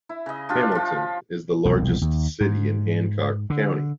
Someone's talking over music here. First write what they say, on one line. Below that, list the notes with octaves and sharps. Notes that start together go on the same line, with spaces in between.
Hamilton is the largest city in Hancock County.
E4
C#3 D#5
D4 F4 G4 F5
F3 F4
E1 C2 F3
D#2
G#2
D3